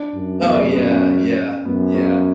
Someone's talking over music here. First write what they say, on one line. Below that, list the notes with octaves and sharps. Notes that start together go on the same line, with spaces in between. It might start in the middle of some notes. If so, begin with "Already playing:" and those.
Oh, yeah, yeah, yeah.
Already playing: D4
F#2
B3
C#4
B3
B3
C#4
F#2 B3
C#4